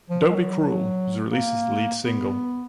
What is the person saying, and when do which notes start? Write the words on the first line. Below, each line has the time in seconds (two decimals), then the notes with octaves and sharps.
"Don't Be Cruel" was released as the lead single.
0.10 F3
0.30 G#3
0.34 F#3
0.59 F#3
1.32 A#3
2.05 B3